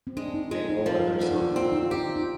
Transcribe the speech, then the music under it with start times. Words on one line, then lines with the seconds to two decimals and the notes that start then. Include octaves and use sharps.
A whole other song.
0.07 C4
0.17 G#3 D4
0.34 D#4
0.51 G#3 F4
0.69 D#4
0.79 F4
0.86 F3 D#4
1.00 F4
1.10 D#4
1.20 D3 F4
1.32 D#4
1.42 F4
1.52 C4 D#4
1.62 F4
1.72 D#4
1.83 F4
1.91 D#4 G4
2.16 D#4